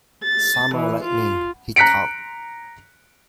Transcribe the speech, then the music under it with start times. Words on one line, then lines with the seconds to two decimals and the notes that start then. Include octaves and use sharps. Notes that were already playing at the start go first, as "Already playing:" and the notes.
"Summer lightning," he thought.
0.24 A6
0.75 E3
1.04 F4
1.76 A#5 F#6 B6 C#7 D7